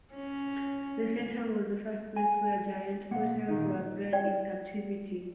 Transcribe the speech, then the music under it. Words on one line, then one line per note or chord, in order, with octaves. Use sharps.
The centre was the first place where giant otters were bred in captivity.
C#4
G#5
B1 A#3 F#5
A#2 D#3 D#4
D5 G5